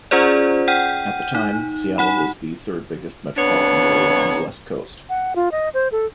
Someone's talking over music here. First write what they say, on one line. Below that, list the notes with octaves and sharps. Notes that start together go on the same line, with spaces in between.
At the time, Seattle was the third-biggest metropolitan area on the West Coast.
C#4 F4 G#4 C5 D5
F#5 G5 F6 G6 D#7
D#4
D#4 F#5 B5
F2 B3 D4 C#5
F#5
F4
D#5
C5
A4